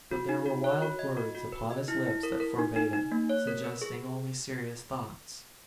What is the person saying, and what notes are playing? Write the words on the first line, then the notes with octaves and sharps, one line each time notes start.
But there were wild words upon his lips that forbade it--suggesting only serious thoughts.
F#4
D#4
F#4
C#5
F#4
D#5
F#4
F#4
B4
D#5
E4
E4
A#4
A#4
D#4
D#4
D#4
A#3
C#5
A#4
B4
G#4